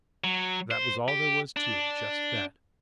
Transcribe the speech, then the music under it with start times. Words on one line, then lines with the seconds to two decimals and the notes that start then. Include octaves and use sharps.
That was all there was to it--just that!
0.24 F#3
0.71 C5
1.08 G4
1.57 D4